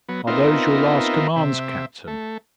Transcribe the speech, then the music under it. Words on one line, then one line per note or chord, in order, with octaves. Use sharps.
"Are those your last commands, captain?"
F#3 B3
B3 C4 D#4 F4 A#4 E5
C3 E5
A3